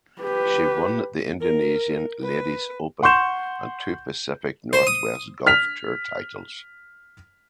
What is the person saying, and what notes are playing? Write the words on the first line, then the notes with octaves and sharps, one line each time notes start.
She won the Indonesian Ladies Open and two Pacific Northwest Golf Tour titles.
G4 B4
A#4
B4
F#5 C6 C#6 G6 E7
C5
D#6
F6 B6 F7